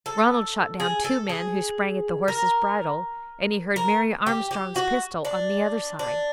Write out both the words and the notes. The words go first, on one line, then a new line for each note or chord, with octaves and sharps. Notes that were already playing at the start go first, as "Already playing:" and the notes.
Ronald shot down two men who sprang at the horse's bridle, and he heard Mary Armstrong's pistol on the other side.
A4
G#4
A4
G#4
A#4
A#4
G4
G4
F#4
D4
D4